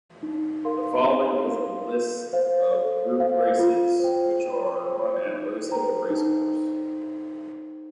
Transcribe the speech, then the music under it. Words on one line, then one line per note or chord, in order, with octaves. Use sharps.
The following is a list of Group races which are run at Rosehill Racecourse.
D#4
A#4 F5 C6
D#4
A#4 F5 C6
A4
C5 F5
A4
C5 F5
F4
C5 G5
F4
C5 G5
D#4
A4 C5 G5 A#5
D#4